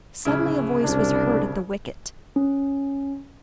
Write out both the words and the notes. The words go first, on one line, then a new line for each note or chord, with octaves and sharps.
Suddenly a voice was heard at the wicket.
D1 C#3 E4
C2 D4
C#4